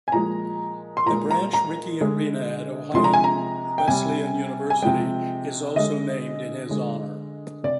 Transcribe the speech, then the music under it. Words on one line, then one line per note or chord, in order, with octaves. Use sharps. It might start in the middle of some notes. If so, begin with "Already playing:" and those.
The Branch Rickey Arena at Ohio Wesleyan University is also named in his honor.
G#5
A#2 F3 G#3 A#5
C6
A#2 G#3 A#5
A#5
A#5
D3 G#3
C3 F3 G#3 C6
A#5
G#5
A#5
G5
C3 G3 G#5
G#5
C3 F3 G#3 G5
D3 G#3 D#5
D3 G#3
C3 D5